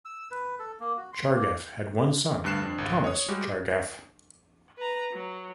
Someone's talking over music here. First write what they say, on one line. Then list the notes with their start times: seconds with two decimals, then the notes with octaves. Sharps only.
Chargaff had one son, Thomas Chargaff.
0.05 E6
0.31 B4
0.59 A4
0.80 A#3
0.98 F#4
1.13 C6
1.34 A#3
2.44 D2 G2 G3 F#6 C7 E7
2.62 F2 D4
2.78 G#1 C#2
3.04 C#5 D#6
3.28 G3 G#3 F#4 G4
4.78 B4 A#5
5.12 F#3